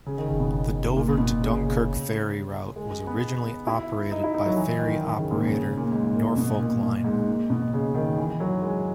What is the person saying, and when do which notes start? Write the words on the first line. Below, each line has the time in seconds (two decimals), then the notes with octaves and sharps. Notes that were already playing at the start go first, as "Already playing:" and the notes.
The Dover to Dunkirk ferry route was originally operated by ferry operator Norfolkline.
0.06 C#3
0.18 D#3
0.28 C#3
0.40 B2
0.97 A#2
1.18 B2
1.41 C#3
1.64 C#3
2.76 G#3
3.07 B3
3.67 E4
4.12 D#4
4.24 E4
4.34 D#4
4.46 F#3
4.57 E3
4.79 D#3
5.02 D#3
5.17 C#3
5.32 A#2
5.47 C#3
5.77 A#2
5.92 G#2
6.15 A#2
6.37 B2
6.60 A#2
6.83 A#2
7.04 G#2
7.28 A#2
7.50 B2
7.73 C#3
7.95 D#3
8.18 E3
8.40 F#3
8.62 G#3